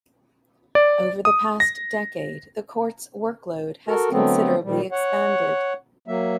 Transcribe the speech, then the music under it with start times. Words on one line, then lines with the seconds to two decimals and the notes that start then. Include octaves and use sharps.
Over the past decade, the Court's workload has considerably expanded.
0.75 D5
1.25 D#6
1.60 A#6
3.88 F#4 A4 A#4
4.11 D3 F#3 A3 B3 C4
4.64 A#2 D#3 G3
4.92 C#5 F#5
6.08 F#3 A#3 E5